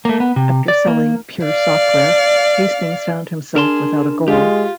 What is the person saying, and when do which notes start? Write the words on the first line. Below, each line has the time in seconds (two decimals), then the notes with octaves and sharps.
After selling Pure Software, Hastings found himself without a goal.
0.05 A3 A#3
0.20 B3
0.36 C3
0.68 D5
0.87 A#3
1.45 D5 F5
3.56 D4 G#4 A#4 A5 C6
4.28 G#3 F4 G4